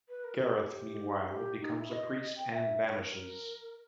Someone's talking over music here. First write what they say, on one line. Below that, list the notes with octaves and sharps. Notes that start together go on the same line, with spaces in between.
Gareth, meanwhile, becomes a priest and vanishes.
B4
A#4
G4
G4
G4
G4
D#4
E4
D#5
G5
E5
C#5
A#4